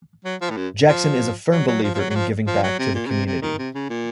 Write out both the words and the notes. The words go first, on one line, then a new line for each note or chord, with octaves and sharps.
Jackson is a firm believer in giving back to the community.
F#3
F3
A2
F#2
F3
F#3
F#3
F3
F3
F#3
F#3
F3
F3
F#3
C3
A#2
C#3
C3
C3
D#3
C3
C#3
A#2